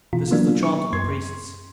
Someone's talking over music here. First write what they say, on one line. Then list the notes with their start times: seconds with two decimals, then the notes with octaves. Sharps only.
This is the chaunt of the Priests.
0.13 B2 E3 F4
0.31 E3 F#3 A#3 B3 D4 F4
0.63 C#6
0.93 F#2 C6 G#6